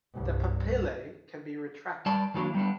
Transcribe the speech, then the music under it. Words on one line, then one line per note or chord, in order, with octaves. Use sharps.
The papillae can be retracted.
C2 G2
G3 D5 A5
D#3 E3 F#3 A#3 D4
G3 B3 D4